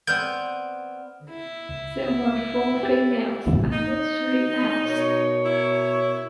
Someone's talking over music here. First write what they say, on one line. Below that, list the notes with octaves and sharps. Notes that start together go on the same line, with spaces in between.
There were four females and three males.
B3 C4 D5 F6 G6 D7
E4
C#2
G4 A6
D#4
B2 A#4 C#5
E4